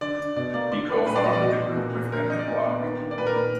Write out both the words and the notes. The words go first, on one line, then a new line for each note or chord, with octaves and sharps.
He co-founded the group with Emit Bloch.
D3 D5
D3
B2 D5
A#3 D5
D3 D5
D3 B4
A#2 B4
D5
A#2 D#5
D5
B2 F#4
B2
A#2
A#2
D3 A#4
D3 D#5
D5
A#2
B3
D#3
D#3
D5
A#2 B4
A#4
A#2